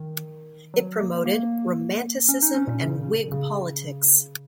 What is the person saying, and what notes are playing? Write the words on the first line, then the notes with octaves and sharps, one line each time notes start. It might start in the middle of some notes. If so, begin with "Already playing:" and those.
It promoted Romanticism and Whig politics.
Already playing: D#3
F#3
A#3
A#3
C#4
D#4
C#4
A#2
C#3
C#3